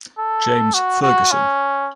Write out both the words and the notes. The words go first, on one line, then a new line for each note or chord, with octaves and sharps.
James Fergusson.
A4
F#4
F#4
C#4